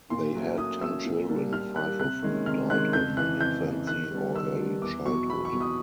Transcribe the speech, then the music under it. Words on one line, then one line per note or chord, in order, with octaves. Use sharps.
They had ten children, five of whom died in infancy or early childhood.
A#2 C6
F#3 A3 C#4
A#2 D#6
F#3 A3 C#4 E6
A#2
G3 A#3 D4
A#2 F6
G3 A#3 D4 F#6
C3 F#6
D#3 G#3 C#4
C3 F6
D#3 G#3 C#4 F#6
F2 G6
C#3 E3 F#6
F2 G6
C#3 E3
D#3 F#6
G3 B3 D4
D#3 E6
G3 B3 D4
E2 D6
B2 F#3 C#6
E2 B5
C#6
B2 F#3
D#6